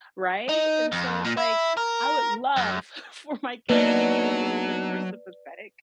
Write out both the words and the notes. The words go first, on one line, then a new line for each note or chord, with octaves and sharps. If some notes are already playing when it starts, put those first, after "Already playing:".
right?" And so, it's like, I would love for my kids to be a little bit more sympathetic,
D#4
F2
A#2
E4
A#4
F#2
F#3 A#3 B3 D4 D#4 B4 D5